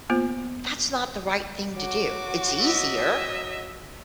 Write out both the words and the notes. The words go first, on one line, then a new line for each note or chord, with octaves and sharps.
That's not the right thing to do. It's easier.
A#3 B3 F4 C5
F#3 F#4 D6
D#5 E5